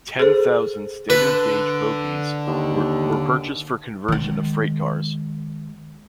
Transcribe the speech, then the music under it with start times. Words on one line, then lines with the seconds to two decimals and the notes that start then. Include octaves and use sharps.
Ten thousand standard gauge bogies were purchased for conversion of freight cars.
0.19 G#4 A4 C5
1.10 D3 B4
2.47 D#2
4.08 D#3 G#3